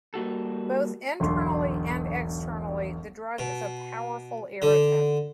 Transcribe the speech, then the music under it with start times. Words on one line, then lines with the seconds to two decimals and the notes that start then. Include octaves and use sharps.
Both internally and externally the drug is a powerful irritant.
0.14 G3 A#3 F#4 A4
1.20 E1 B1 D3 C6
3.39 B2
4.62 D3